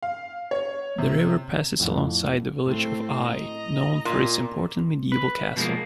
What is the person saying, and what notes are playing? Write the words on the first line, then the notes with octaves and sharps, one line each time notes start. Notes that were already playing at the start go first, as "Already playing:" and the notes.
The river passes alongside the village of Eye, known for its important medieval castle.
F5
C#5
C3
F2 A2 F#5
A2 A3 C4
D#5 A#5
A#2
B4
B2 F3 F#3 G#3 A#3